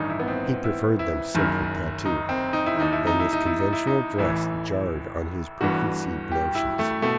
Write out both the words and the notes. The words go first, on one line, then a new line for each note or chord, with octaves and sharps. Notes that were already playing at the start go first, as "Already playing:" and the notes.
He preferred them simply tattooed, and this conventional dress jarred on his preconceived notions.
Already playing: A1 G2 D#3 D#4
E4
B3
C4
E4
E4
F#1 F#2 D#3
D#4
C4
D#4
E4
D#2 D#3 D#4
E4
D#4
E4
D#4
E4
D#4
E4
D#4
A1 A2 E3 E4
G1 G2 E3 F#4
G4
E4
A3
B2 A3